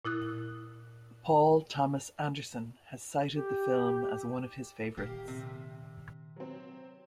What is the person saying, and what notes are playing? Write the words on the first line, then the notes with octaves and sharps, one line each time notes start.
Paul Thomas Anderson has cited the film as one of his favorites.
A#2 E4 D#6 F#6
G4
A#2 D#3 A#3 G4
C3
F#3 C4